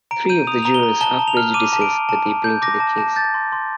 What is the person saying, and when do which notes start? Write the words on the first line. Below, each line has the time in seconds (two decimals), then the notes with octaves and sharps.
Three of the jurors have prejudices that they bring to the case.
0.11 A#5 D7
0.29 G6 D#7
0.47 D#6 F7
0.63 A#5 F7
0.74 G7
0.83 A#5
1.01 A5 G7
1.19 A5
1.28 F7
1.37 F6
1.54 D6 D#7
1.73 A5
1.82 D7
1.90 A5
2.09 A5
2.26 A5
2.44 G6
2.62 D6 A#6
2.80 A5
2.98 A5
3.16 G6 A6
3.34 C6
3.52 C6